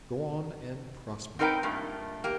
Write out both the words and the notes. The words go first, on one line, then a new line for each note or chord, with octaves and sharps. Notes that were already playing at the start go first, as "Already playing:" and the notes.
Go on and prosper!'
C4 D#4 A#4 B4 E5 G5
G2 A#2 A3
A#3 G4